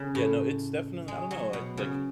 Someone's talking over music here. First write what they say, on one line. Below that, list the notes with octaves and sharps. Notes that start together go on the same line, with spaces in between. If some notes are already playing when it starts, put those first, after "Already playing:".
Yeah, no, it's definitely I don't know it, like
Already playing: C#3
A2
G#3
F#3
B2
C#3